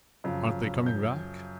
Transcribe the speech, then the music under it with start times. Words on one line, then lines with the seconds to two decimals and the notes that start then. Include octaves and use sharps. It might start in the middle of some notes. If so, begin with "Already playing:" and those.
"Aren't they coming back?"
0.24 F#2 C#3 F3
0.86 G6